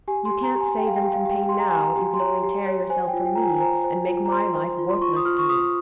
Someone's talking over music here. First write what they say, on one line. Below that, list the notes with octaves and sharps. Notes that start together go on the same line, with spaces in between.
You can't save them from pain now; you can only tear yourself from me, and make my life worthless to me.
G4 G#5
C6
G4
A#5
G4
G#5
G4 G5
F5
G5
G4
F5
G4
G5
G4 C6
A#5
G4 G#5
A#5
G4
C6
C#5 A#5
G4
C#5
C5 G#5
G5
F4
G5
F4 A#5
G#5
G#5
C5 A#5
C5
F4
A#5
C5 C6
C5
F4
C6
F4 C#6
D#6
F4 F6
C#6
F4 D#6